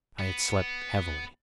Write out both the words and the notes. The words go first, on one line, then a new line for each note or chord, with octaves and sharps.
I had slept heavily.
B3